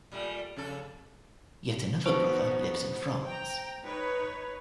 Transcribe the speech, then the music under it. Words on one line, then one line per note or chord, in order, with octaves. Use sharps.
Yet another brother lives in France.
A#2 G3 A3
F2 C#3 A4
B3 D#4 F#4 C5 A5 C#6
G5 A#5
D#4 B4 C#5